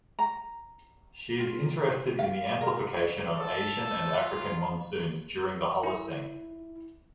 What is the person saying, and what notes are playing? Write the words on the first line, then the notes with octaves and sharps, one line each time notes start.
She is interested in the amplification of Asian and African monsoons during the holocene.
A#5
F4
F5
A#4
A4
F4
E4